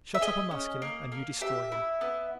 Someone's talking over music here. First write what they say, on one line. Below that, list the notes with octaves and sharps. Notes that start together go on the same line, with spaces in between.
Shut up a Muscular and you destroy him.
E5
G#4 D#5
C#4
A#3
A#3
G4 E5
E4
B3